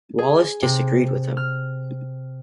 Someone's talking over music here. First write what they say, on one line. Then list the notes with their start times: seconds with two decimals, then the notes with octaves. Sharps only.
Wallace disagreed with him.
0.18 G#4
0.62 C3
1.37 F6